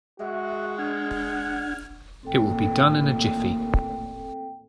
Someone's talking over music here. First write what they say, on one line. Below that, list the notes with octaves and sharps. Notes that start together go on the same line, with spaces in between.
It will be done in a jiffy.
G#3 F#4 E5
D4 F#5 F6 G#6
A1 D#2 A#2 C4 A4 G5